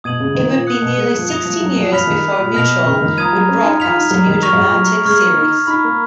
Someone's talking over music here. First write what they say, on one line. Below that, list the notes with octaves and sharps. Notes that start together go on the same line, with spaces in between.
It would be nearly sixteen years before Mutual would broadcast a new dramatic series.
B2 D#6 G#6 D#7 F#7
C#3
D#3
A#2
D#6 F#6 C#7
B2
G#3
F3
F3 D#6 A#6 F7
F3
F#3
F3
F3 B5 F6 B6 F7
D#3
A#2
B2 F6 A#6 F7
C#3
D#3
F3 A#5 D#6 G#6 D#7
F#3
C#4
D#4
F4 F6 B6 F7
D#4
F#3
D#3
C#6 F6 A#6 F7
G#2
A#2
F#3
G#3 C#6 F6 G#6
A#3
D#4
D#4 B5 F6 B6
A#3